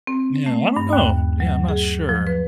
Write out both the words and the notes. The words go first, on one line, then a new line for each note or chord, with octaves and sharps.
Yeah, I don't know, yeah, I'm not sure,
C4
A3
G2
D#2
F#3
G#4
F3
B4